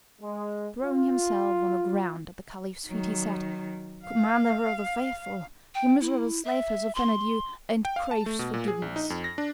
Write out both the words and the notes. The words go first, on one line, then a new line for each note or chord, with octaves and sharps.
Throwing himself on the ground at the Caliph's feet, he said: "Commander of the Faithful, your miserable slave has offended you, and craves forgiveness."
G#3
F4
D#3 F#3
F5
G5
E4
E5
C6
G5
F5
A5
A3
B2
A#2
G#4
A#1
D#4
F2
A#6
D4